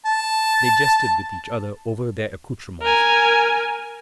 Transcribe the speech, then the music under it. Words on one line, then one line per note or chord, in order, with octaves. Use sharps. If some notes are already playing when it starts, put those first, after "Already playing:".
They jested with each other over their accoutrements.
A5
A#4 G#5